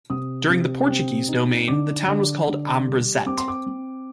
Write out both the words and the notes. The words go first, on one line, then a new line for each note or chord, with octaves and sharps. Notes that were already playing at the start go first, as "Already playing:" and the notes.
During the Portuguese domain the town was called Ambrizete.
C3 D#6
C3
C4
D#4
D3 D6
D3
D3
G3
C4 D6
C6
D6
C4